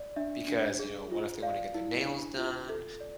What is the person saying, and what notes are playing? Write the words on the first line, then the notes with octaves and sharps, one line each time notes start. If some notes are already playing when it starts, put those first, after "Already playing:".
because, you know, what if they wanna get their nails done?
Already playing: D5
D4 E5
D4
G#4
F4
D5 F5
E4
D4
F4
A4
D5